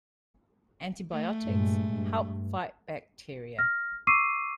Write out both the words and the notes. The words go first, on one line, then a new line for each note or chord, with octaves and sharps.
Antibiotics help fight bacteria.
A3
G2 A#2 G#3
G2
F6 A#6
C#6 D6 E6 C7 D#7